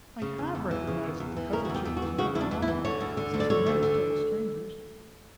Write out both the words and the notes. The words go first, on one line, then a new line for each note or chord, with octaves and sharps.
I HAVE recognized that the cousinship was merely nominal, since we met as total strangers.
C#3
E2
E2
E3
C#3
E2
E2
E3
C#3 A#4
F#4
E2 G4
E2
F#4
E3
C#3 F#4
E2 E4
D4
E2
E4
E3
D3 C#5
D2
D3
D2
D5
D3 C#5
D2
D3